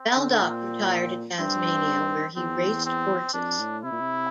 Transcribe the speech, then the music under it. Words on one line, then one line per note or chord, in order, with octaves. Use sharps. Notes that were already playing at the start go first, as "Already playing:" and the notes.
Baldock retired to Tasmania where he raced horses.
Already playing: C4
D3
A#2
G2 C4
E2 C4
C4
F2 D4
A2
C3 E4
A#2
C3